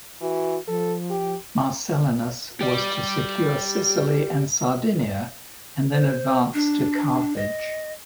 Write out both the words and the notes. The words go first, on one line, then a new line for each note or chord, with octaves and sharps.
Marcellinus was to secure Sicily and Sardinia and then advance to Carthage.
E3 F#4
F3 A4
G4
G4 D5
C5
D4
D#5